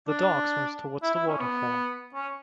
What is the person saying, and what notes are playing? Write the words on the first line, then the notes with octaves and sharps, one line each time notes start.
The dog swims towards a waterfall.
D4
E4
E4
C#4
B3
C#4